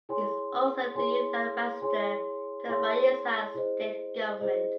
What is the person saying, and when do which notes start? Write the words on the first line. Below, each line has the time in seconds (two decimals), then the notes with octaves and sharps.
He is also the Youth Ambassador to the Bayelsa State Government.
0.09 E4 G#4 C#5 G#5 C6
0.95 E4 G#4 C#5 G#5 C6
1.81 E4 G#4 C#5 G#5 C6
2.68 E4 G#4 C#5 G#5 C6
3.54 E4 G#4 C5 D#5
4.40 E4 G#4 C5 D#5